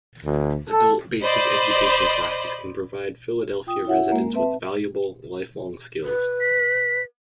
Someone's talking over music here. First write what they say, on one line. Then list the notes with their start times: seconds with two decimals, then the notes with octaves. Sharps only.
Adult Basic Education classes can provide Philadelphia residents with valuable, lifelong skills.
0.25 D2
0.70 A4
1.22 C5 D5 D#5 B5
3.67 F4 G5 D#6
3.85 E4 F#4 C#5 E5 F#5
4.12 G#3 A#3 A#4
4.34 C4 B4 E5 A5
6.04 B4
6.40 B6